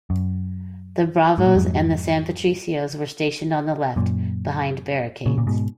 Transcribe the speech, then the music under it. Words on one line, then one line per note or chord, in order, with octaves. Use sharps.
The "Bravos" and the "San Patricios" were stationed on the left, behind barricades.
F#2
G#2
A#2
F2 G#2
F#2 A#2
A#2 C#3
A#2
G#2 B2